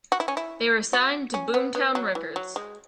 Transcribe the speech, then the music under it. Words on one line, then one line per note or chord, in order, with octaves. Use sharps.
They were signed to Boomtown Records.
F#4
E4
C#4
E4
F#4
C#4
B3
B3
F#3
E3
F#3
G#3